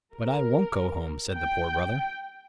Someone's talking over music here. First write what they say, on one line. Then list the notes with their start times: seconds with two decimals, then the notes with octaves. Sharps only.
"But I won't go home," said the Poor Brother.
0.13 A#4
1.33 G5